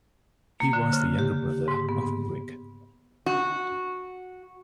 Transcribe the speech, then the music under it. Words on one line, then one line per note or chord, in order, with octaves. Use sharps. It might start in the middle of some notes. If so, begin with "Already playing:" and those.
He was the younger brother of Brig.
A#3
D3
C#3
G4
G#2
B3
F#4